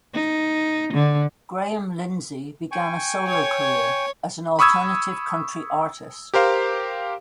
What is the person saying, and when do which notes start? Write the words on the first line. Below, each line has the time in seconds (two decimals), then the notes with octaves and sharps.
Graham Lindsey began a solo career as an alternative country artist.
0.14 D#4
0.93 D3
2.72 G5 G#5 C#6
3.27 C#5
4.59 B5 C#6 D#6 E6 G#6
6.34 G4 A#4 C5 F5